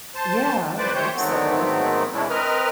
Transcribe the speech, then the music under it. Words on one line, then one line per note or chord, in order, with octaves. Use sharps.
Yeah, I would hope so.
C5 A5
F2 B4 C5 D5 D6
A3 G4 C5 C#5 G6
G#2 D#3 F#3 A3 B3 C4
E2 C3 G#3 C#4 D4 E4
C4 A#4 B4 D#5 F6